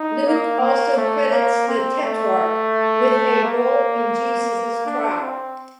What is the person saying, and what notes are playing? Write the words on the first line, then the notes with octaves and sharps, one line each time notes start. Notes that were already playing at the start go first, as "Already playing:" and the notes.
Luke also credits the tetrarch with a role in Jesus' trial.
Already playing: D#4
A#3
A#3
A3
A#3
C4
A3
A#3
D4
C4